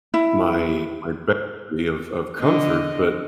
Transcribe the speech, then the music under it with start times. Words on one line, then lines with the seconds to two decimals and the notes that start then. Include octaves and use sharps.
my my boundary of of comfort, but
0.14 E4
2.40 D3 D#5